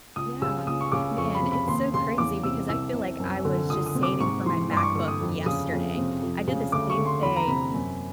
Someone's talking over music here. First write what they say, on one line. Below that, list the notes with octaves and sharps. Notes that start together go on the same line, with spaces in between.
Yeah. Man, it's so crazy because I feel like I was just saving for my MacBook yesterday. I did the same thing,
C#2 D#6
C#3 E6
C#2 D#6
C#6
C#3 D6
F2 C#6
B5
C3
B5
D#2 C6
C#3 C6
E2 D6
C3 E6
C2 E6
C3
F#2
D3
C#2 D#6
D#6
C3
D6
G#2 C#6
E3 C6
G2 C6
D6
C#6
D3 C#6
D#6
F2
C#3 D#6
F2
C3
F2
C#3
D2 D6
C#6
D3
C6
E2 B5
A#5
C3 B5
F#2